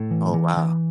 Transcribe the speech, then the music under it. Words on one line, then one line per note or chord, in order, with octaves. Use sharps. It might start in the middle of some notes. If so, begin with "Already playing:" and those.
Oh, wow.
Already playing: A2 A4
E3
E3
E3